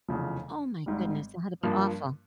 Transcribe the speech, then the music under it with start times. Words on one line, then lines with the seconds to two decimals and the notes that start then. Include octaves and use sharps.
Oh my goodness, that had to be awful.
0.09 F1 E2 C#3 F3
0.86 G#1 G#2 G3
1.63 G2 F3 A#3